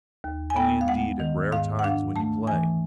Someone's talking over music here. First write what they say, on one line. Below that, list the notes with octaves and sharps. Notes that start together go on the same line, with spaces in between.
Only indeed at rare times when you play.
D#2
G#5
B3 G5
F5
G#3 F#5
D#3
G#2 F5
F#5
D4 F5
A3 A5
E3 G#5